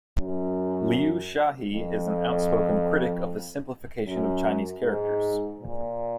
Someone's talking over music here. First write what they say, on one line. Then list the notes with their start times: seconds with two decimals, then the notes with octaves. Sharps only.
Liu Shahe is an outspoken critic of the simplification of Chinese characters.
0.18 F#2
1.73 F2
4.05 F#2
4.82 G#2
5.61 A#2